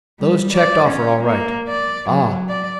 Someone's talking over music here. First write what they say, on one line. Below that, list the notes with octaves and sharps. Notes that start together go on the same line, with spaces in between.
"Those checked off are all right."
G3
D5
C#4
A#3
D5
F#3
D5